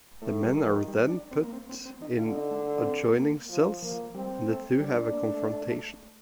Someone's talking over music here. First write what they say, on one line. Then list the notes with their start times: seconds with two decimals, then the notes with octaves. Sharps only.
The men are then put in adjoining cells and the two have a confrontation.
0.22 A2 A3
0.43 G3
0.55 D#3
0.66 F3
0.88 G3
1.09 D4
1.31 C4
1.43 A#3
1.53 C4
1.69 C4
1.85 C4
2.02 D#4
2.18 D3 F4
2.35 D#4
2.51 A3
2.84 C4
3.16 A#3
3.49 F3
3.82 F3 A#3
4.14 G3 C4
4.48 A3
4.80 G3 D4
4.96 A#3
5.13 A#3
5.30 A3